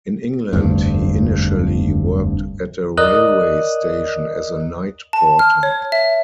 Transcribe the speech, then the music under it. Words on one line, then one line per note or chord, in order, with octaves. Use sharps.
In England, he initially worked at a railway station as a night porter.
F1 D2 G2
A#4 D5 D#5 D#6 F#6
A5
F6
C#5
E5